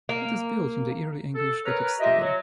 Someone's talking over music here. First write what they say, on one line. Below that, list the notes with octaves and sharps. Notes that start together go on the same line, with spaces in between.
It is built in the Early English Gothic style.
A#3
A4
A#4 B4 C#5 A#5
F4 G4 D#5 E5
F#3